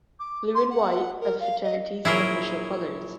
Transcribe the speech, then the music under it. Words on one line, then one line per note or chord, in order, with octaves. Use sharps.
Blue and white are the fraternity's official colors.
D6
C6
F#5
A#4
F5
D#5
A#1 F#3 E4 G#4 A#4